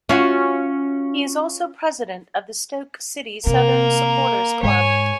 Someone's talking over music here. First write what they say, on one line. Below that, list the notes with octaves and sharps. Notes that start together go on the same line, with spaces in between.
He is also president of the Stoke City Southern Supporters Club.
C#4 F4 F#4
C3 A#3 A#4
G#2 G#3 C#5 G#5